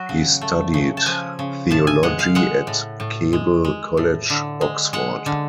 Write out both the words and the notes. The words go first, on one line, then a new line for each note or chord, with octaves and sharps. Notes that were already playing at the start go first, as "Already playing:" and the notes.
He studied theology at Keble College, Oxford.
Already playing: F#3 F#4
C#3
A3
C#3
A5
F3 G#5
C#3
A2 A5
G#5
G#3 F#5
F5
G#3 F#5
A2
A2
G#3
G#3
A2
D3
G#3
G#3 F#5
D3